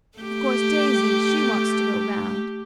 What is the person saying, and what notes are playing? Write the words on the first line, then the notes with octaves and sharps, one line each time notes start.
Of course Daisy--she wants to go round.
A3 G4